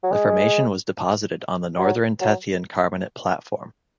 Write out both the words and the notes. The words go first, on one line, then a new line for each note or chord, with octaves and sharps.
The formation was deposited on the Northern Tethyan Carbonate Platform.
F#3
G#3
F#3
F#3